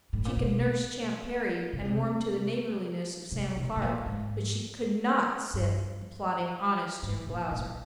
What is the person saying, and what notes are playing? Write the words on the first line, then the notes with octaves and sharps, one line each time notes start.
She could nurse Champ Perry, and warm to the neighborliness of Sam Clark, but she could not sit applauding Honest Jim Blausser.
A2
A#2
B2
C#3
C3
C3
B2
A2
A#2
G#2
G2
G#2
A#2
A#2